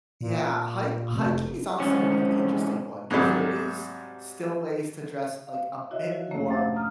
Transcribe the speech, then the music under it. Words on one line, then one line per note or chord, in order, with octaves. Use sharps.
Yeah, hik hiking is honestly a really interesting one 'cause there is still ways to dress, like, a bit more
A#2
F1
C2 G#2 C#4
G#2 C3 F#3 G3
F5
E4 F#4 C#5 D#5 E5
F3 F#4
F2 C3 A3 A#3 C#4 C#5
G#2 A3 D4 F5 F#5 A6
A#5 D#6 F6